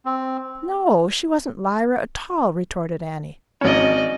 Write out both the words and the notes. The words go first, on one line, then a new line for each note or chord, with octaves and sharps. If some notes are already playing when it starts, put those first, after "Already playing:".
"No; she wasn't Lyra at all!" retorted Annie.
C4
G#1 C#4 D5 D#5